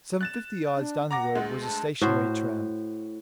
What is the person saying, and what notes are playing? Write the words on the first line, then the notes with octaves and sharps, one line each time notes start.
Some fifty yards down the road was a stationary tram.
F#6 A6 E7
D4
F#5 A#5 D6 A#6
D2 G#3
A5
A2 F#4 C5